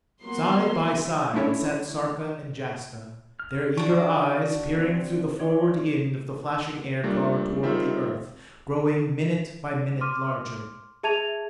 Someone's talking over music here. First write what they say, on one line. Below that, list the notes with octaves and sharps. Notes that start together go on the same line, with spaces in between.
Side by side sat Sarka and Jaska, their eager eyes peering through the forward end of the flashing aircar toward the Earth, growing minute by minute larger.
F#3 A#3 B3 F#4 C6
A3 C#4 D4 E4 A4 C#5
F6
D4 F#4 F#5 C#6
C4
C#5 D5 C6
G3 A3 A#3 D4 F4
D#3 G3 C4 F4 E5
C6 D6 F6 D#7
G#4 E5 A5 G#6 D#7 F7